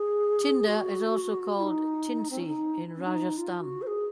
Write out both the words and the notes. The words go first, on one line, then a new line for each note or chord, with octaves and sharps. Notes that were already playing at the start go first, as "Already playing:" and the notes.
Tinda is also called "tindsi" in Rajasthan.
Already playing: G#4
F#4
F4
D#4
C4
C#4
D#4
C#4
D#4
F4
F#4
C5
G#4